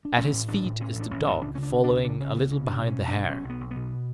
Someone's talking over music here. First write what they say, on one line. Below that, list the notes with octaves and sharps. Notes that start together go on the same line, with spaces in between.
At his feet is the Dog, following a little behind the Hare.
D4
A1 C#4
A2
A1 D4
A2
A2 C#4
A1
D4
A1 C#4
A1
C#2 D4
C#3 C#4
D4
C#3
C#2 D4
C#3 D4
C#3 C#4
C#2 B3
C#3 C#4
B2 D4
B2
C#4
B2
B1 D4
B1 C#4
B1
B3
B1
B2 B3